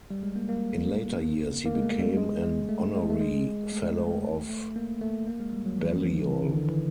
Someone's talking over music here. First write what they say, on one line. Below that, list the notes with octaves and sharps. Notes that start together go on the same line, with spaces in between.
In later years he became an Honorary Fellow of Balliol.
G3
G#3
A#3
A#3
A#3
G#3
A3
G3
G#3
G#3
A3
G#3
A3
G#3
A3
G#3
A3
G#3
A3
A3
A#3
A3
A#3
G#3
G3
F#3
E3
F3
E3
E3
D3
D#3
D3
E3